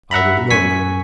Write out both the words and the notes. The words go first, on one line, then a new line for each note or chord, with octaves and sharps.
I will look.
E5 F#5 A#5 B5
F#2 G#5 C#6 B6